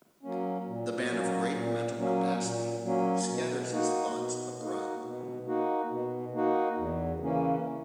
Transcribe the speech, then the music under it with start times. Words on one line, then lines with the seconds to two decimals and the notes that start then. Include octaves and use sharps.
The man of great mental capacity scatters his thoughts abroad.
0.23 F#3 A#3 C#4
0.67 A#2
1.10 F#3 A#3 C#4
1.54 A#2
1.98 F#3 A#3 C#4
2.41 A#2
2.84 F#3 A#3 C#4
3.29 B2
3.72 A#3 D#4 F#4
4.16 B2
4.59 A#3 D#4 F#4
5.03 B2
5.47 A#3 D#4 F#4
5.90 B2
6.34 A#3 D#4 F#4
6.77 E2
7.20 C#3 E3 A#3 C#4